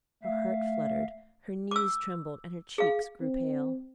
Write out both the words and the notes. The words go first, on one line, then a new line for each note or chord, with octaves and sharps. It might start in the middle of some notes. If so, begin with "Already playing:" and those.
Her heart fluttered, her knees trembled, and her cheeks grew pale.
A3 E5 F5
D6 E6
G#4 F5
C4